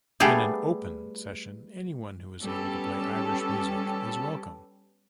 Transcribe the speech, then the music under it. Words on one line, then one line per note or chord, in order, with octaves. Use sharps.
In an "open" session, anyone who is able to play Irish music is welcome.
G3 A3 B3 G4 G#4
G3 B3 C#4 G4 A4